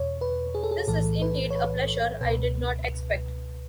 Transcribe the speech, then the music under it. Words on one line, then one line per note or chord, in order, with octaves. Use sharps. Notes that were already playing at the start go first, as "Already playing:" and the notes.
This is indeed a pleasure I did not expect.
Already playing: E2 B2 C#5
B4
G#4
A4
G#4
B1 A2 E3 A4
B4
C#5
B4
C#2 B2 B4